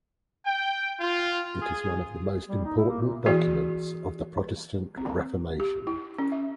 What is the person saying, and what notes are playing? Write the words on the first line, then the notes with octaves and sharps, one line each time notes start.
It is one of the most important documents of the Protestant Reformation.
G5
F4
G#4
G3
D#4
E4
A#3
A#2
E3 B3 E4 F#4 G#4 D5
C4
G4
E4
C#4
E5